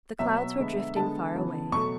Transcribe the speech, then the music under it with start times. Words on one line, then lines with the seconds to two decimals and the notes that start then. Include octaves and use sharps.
The clouds were drifting far away.
0.19 B2 F#3 B3 E5
0.58 D3 G#3 B3
0.96 D3 G#3 B3 A5
1.35 C#3 E3 B3
1.72 B2 F#3 A3 C#6